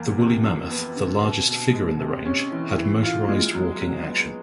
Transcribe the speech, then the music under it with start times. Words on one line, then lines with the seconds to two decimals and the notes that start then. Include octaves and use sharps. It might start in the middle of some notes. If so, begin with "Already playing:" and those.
The Woolly Mammoth, the largest figure in the range, had motorized walking action.
Already playing: E2 A#3
0.18 C3
0.43 F2
0.70 B3
0.96 D3
1.21 B2
1.47 B2
1.73 G#3
1.99 C3
2.25 C#4
2.52 E3
2.77 E3
3.03 F4
3.28 G#3
3.55 F#3
3.81 F#3
4.07 B3